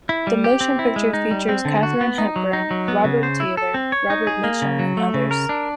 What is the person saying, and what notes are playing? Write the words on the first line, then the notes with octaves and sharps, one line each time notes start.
The motion picture features Katharine Hepburn, Robert Taylor, Robert Mitchum, and others.
E4
G3
G4
C4
E4
G#3
D#4
G3
C4
D3
F#4
B3
D#4
F#3
D#4
F#3
B3
C#3
C5
E4
A4
C4
C#5
D#4
G#4
A#3
C#3
F#3
A3
C#3
A#4
D4